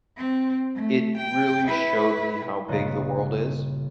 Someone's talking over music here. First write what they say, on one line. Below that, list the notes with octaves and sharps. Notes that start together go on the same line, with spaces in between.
it really showed me how big the world is.
C4
A3
G5
E4 B4
G1 A#2 C#3 D#5 A#5 F#6